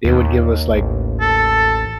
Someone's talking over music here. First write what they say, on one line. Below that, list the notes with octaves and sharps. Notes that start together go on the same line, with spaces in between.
they would give us, like,
D#2
A1
A4